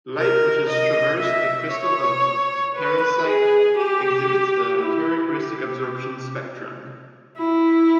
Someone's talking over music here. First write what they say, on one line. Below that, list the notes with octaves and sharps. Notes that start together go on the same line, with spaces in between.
Light which has traversed a crystal of parisite exhibits a characteristic absorption spectrum.
A#4
D#5
E5
C#5
B4
G#4
G4
E4
G4
E4